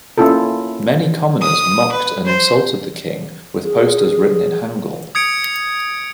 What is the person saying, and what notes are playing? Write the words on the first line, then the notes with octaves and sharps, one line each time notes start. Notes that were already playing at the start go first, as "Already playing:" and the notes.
Many commoners mocked and insulted the king with posters written in hangul.
A#3 C#4 E4 F4 A4
D#6
B4
C5
G#4
D#6 G#6 C#7 D7